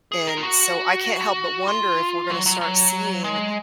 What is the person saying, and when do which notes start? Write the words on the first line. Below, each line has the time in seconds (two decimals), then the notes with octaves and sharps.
And so I can't help but wonder if we're gonna start seeing
0.12 G#4
0.27 A#4
0.38 F4
0.43 F#4
1.68 F4
2.30 F#3
2.46 F#3
2.61 F#3
3.24 G#3